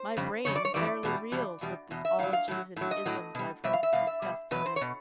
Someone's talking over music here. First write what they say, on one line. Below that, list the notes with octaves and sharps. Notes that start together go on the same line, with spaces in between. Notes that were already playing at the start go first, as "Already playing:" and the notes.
My brain fairly reels with the 'ologies and 'isms I've heard discussed tonight.
Already playing: C5
F2 C#3 G3
F2 C#3 C#5
D5
C#5
F2 C#3 E3 G3 D5
E2 B2 G3
E2 B2 G3
E2 B2 G3
E2 B2
E5
A2 F#3 F5
F5
A2 F#3
A2 F#3
D#5
A2 F#3
B2 G3
B2 G3 E5
F5
E5
B2 G3 F5
E5
B2 G3
E2 B2 F#3 B4
C5
C#5
B2